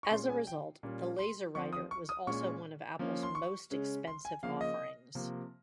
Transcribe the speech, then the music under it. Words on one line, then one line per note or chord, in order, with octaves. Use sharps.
As a result, the LaserWriter was also one of Apple's most expensive offerings.
C#6
A#2 G#3 C#4 C6
G#5
G5
A#2 G3 A#3 C#4
C6
F3 C4 C#6
D#6
C#6
D#6
A#2 G#3 C#4 C#6
F3 A#3 C#4
C6
C#6
C#3 G#3 C#4
C6
G#5
C#3 F3 A#3 F5
D#5
C3 F3 A#3